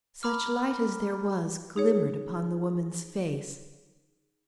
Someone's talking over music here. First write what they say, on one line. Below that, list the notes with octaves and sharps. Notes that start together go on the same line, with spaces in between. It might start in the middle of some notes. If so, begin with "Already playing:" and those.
Such light as there was, glimmered upon the woman's face.
A#5 B5 D6 F6
D#4 G#4 C#5